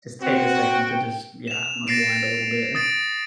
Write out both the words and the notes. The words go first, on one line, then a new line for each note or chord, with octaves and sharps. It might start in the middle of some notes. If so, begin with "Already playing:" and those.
Just take a second to just yeah, unwind a little bit.
C4 F#4
G5
E7 F7
A6 A#6 C7 D7 E7
D#6 A6 D7